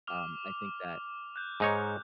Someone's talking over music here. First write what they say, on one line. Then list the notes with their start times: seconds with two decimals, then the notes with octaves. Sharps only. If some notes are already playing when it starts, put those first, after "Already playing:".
um, I think that
0.07 D6 F6 F7
1.36 F#6 G6
1.60 G#2 D#4 C#5